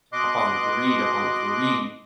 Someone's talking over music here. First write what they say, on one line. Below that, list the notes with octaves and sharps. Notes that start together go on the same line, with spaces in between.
upon greed, upon greed,
B2 D#5 C6 D6 F#6